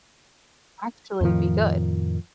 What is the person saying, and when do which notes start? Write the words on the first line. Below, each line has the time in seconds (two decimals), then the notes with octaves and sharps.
actually be good.
1.21 F2 A2 D#3 F3